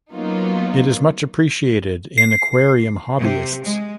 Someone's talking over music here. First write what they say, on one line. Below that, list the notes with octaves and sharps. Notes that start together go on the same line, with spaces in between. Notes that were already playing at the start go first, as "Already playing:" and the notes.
It is much appreciated in aquarium hobbyists.
F#3 A#3 B3 C#4 D#4 F4
C7
C3
G#3